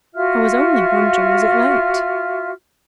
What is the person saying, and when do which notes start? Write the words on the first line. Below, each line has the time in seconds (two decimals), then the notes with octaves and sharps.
I was only wondering was it late.
0.15 F4 F#4 E5 F6